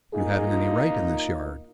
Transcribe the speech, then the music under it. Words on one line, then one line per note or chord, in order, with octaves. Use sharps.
"You haven't any right in this yard."
A#2 A#3 D#4 G#4
F4